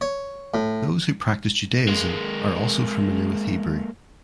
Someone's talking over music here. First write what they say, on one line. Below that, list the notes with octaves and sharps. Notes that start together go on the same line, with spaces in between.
Those who practice Judaism are also familiar with Hebrew.
C#5
A2
G#3 A#3